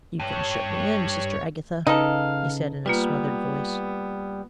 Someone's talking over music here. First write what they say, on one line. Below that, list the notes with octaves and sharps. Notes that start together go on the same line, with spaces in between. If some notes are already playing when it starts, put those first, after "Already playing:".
"You can shut me in, Sister Agatha," he said, in a smothered voice.
G2 G3 C#5
C#3 D#4 A4 B4 F5
G3 A#3 B3 F4 B4